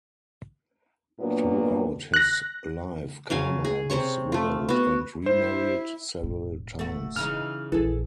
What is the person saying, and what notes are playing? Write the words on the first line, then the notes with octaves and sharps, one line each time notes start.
Throughout his life Khama was widowed and remarried several times.
A#2 F#3 A#3 B3 D4
F#6 A#6
C#3 F#3 F5 G#5
G#4
C3 C5 C#5 C#6
A3 F4
B3 F#4
E4 C5
E1 A2
A3 F#4
C#3 E3 D#4 F6
A#1 E2 E3 G#4 A4